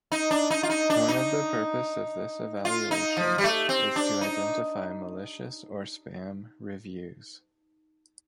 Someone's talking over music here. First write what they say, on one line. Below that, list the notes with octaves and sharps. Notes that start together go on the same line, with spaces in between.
One of the purpose of this evaluation is to identify malicious or spam reviews.
D#4
D4
D#4
F4
D#4
D4
D#4
F4
D#4
F3
G3
A3
C4
D4
D#4